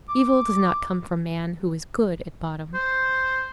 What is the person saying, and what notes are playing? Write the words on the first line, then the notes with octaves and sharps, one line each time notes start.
Evil does not come from man, who is good at bottom.
D6
C5